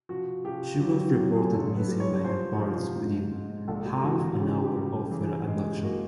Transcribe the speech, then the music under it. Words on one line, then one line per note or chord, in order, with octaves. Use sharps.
She was reported missing by her parents within half an hour of her abduction.
F3 F#4
F3 G4
F#3 G4
F#4
F#2 G4
G#4
F#1 A4
B4
G3
C#5
F3 C5
F3
G#2
G#2
A#1 A4
G4
E3 F#4
F#4
C#3 G4
G4
G3
G4
E3 G#4
G#3
A#3 F#4